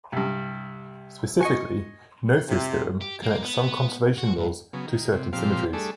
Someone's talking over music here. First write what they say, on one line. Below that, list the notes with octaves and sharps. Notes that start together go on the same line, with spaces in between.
Specifically, Noether's theorem connects some conservation laws to certain symmetries.
C2 G2
F#4 D#5 G#5 C#6
C3
G4
A#3
B3
F#4
G2
C#3 F#3 B3
D#3
C3
A#2 F3 C4 G4 F5
G3 A3 D4 G#4 A4